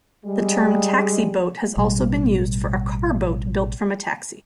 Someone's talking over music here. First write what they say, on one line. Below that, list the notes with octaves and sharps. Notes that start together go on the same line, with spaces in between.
The term taxi-boat has also been used for a car-boat built from a taxi.
G3 G#3
A1 B2 G3